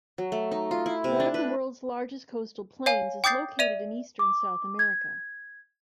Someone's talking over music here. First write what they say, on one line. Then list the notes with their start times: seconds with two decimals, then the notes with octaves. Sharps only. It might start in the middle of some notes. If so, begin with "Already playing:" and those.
One of the world's largest coastal plains is located in eastern South America.
0.18 F#3
0.32 A3
0.51 D#4
0.71 F4
0.86 E4
1.04 C3
1.20 D4
1.34 B4
2.86 C#5 F5 G#5
3.24 G5 D6 D#6 G6 A6 C7
3.59 D5 E5 D#7 F7
4.19 D6
4.79 G#6